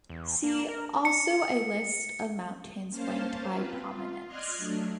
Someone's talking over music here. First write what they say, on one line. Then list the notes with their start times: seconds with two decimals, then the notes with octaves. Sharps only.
See also a list of mountains ranked by prominence.
0.09 E2
0.44 A#3
0.68 A#4
1.05 C#7
2.89 A#3 C#4 C5 F5 A5
3.49 C4 F4 B4
3.88 F4
4.27 D5 D#5 C6 F6 F#6 G#6
4.57 F#3 A3 D4